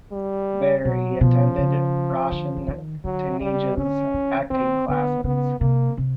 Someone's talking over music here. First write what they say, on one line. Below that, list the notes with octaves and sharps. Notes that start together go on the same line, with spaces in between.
There, he attended Roshan Taneja's acting classes.
G3
B2 F#3
B2 F3
C#3
D3
D3
D#3
D3 F#3
C#3 G3
D3 C#4
E3
D#3 C4
D3 B3
C#3 B3
C3 A#3
C3